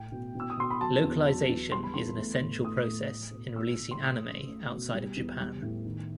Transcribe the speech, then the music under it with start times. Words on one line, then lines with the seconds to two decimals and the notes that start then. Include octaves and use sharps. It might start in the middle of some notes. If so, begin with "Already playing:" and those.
Localisation is an essential process in releasing anime outside of Japan.
Already playing: A2 A3 G5
0.12 B2
0.35 B2 E6
0.50 D#6
0.57 B2 C6
0.70 B5
0.81 F#3 A5
1.04 E2
1.27 F#3
1.50 E2
1.72 G3 C6
1.83 B5
1.94 E2 C6
2.18 A3
2.41 A2
2.65 A3 D#6
2.87 A2
3.10 A3
3.33 B2
3.56 A3 E6
3.80 A2
3.91 C6
4.01 A3 D#6
4.26 F#2
4.48 A3
4.71 B2
4.94 G3
5.17 E2
5.40 G3
5.62 A2
5.85 D#3